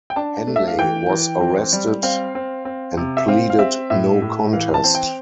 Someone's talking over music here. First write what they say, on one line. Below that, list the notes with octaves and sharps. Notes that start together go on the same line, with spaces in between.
Henley was arrested and pleaded no contest.
G5
D4 A5
A3
E5
F5
E3 G5
E3
C4
G3
C4 F5
C4
C4
C3
E5
C4 F5
F5
C4 E5
A2 E5
A2
E3 F5
A5
C4
G5